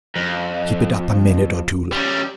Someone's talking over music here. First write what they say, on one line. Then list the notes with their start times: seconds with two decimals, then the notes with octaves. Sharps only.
Keep it up a minute or two longer.
0.16 F2
1.92 G3 C#4